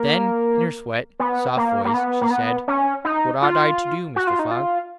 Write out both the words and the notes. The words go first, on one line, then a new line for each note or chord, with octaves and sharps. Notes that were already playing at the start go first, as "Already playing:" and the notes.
Then, in her sweet, soft voice, she said: "What ought I to do, Mr. Fogg?"
Already playing: A#3
B3
A#3
A#3
B3
A#3
B3
C#4
D#4
F4
F#4
F4
D#4
F4